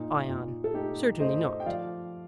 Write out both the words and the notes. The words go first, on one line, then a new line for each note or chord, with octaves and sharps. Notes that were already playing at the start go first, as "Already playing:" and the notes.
ION: Certainly not.
Already playing: A#2 D#4
A#2
A4
A3 D#4 G4
A3 C5 D#5
G5
F3 D5 F5